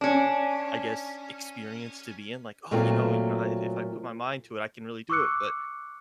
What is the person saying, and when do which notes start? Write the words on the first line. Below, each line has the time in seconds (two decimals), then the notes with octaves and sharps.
I guess, experience to be in. Like, "Oh, you know you know, I i if I put my mind to it, I can really do it." But
0.01 C#4 D4
2.71 A#2 F#3 A3 A#3 C4 F4
5.10 C#6 D6 E6 F#6 C#7